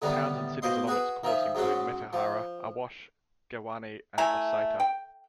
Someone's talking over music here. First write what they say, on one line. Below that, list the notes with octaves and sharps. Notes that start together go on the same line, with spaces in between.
Towns and cities along its course include Metehara, Awash, Gewane and Asaita.
A2 D3 D#3 G3 B3 D4
B2 A#3 C5 D#5 C6
F#4 G#4 B4
D#3 F3 E5
G#2 F#3 G#3 C#4 F#4
F3
A3 E4 G#5 A#5
G5